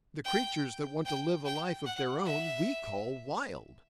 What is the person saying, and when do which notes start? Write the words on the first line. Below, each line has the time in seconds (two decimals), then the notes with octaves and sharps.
The creatures that want to live a life of their own, we call wild.
0.25 G5
1.05 G5
1.45 G5
1.86 F#5
2.25 E5